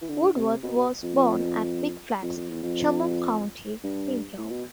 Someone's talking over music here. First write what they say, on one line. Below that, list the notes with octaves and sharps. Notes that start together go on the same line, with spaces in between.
Woodworth was born at Big Flats, Chemung County, New York.
E3
D3
C3
B2
B2
F2
F2
F2
F2
E2
F2
G2
A2
B2